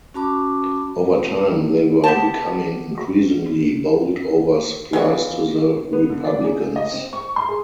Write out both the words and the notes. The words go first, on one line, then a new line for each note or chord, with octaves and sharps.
Over time they were becoming increasingly bold over supplies to the Republicans.
C#4 F#4 A5 B5 D6
B3 G4 A5
E3 G#3 B3 F4 G#5
B3
D3
D5
G#4
D#5
C4
C#6
C6
G#4